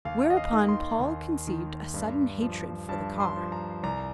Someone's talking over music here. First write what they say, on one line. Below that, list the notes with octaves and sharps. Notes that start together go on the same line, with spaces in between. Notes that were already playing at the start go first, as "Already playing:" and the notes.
Whereupon Paul conceived a sudden hatred for the car.
D#2 F5
D#5
F5
D#3
C6
D#2
D#3
G2
F3
G2 A5
C6
F3
A#5
C2 A#5